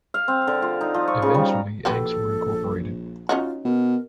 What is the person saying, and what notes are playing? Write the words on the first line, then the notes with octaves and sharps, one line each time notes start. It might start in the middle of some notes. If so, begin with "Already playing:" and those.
Eventually eggs were incorporated.
F5
C4
D3
F4
D#4
F3
C#6
C#3
G3
A#5
A#1 F#4 G4 A4 B4
C#4 D#4 F4 F#4
B2 A#4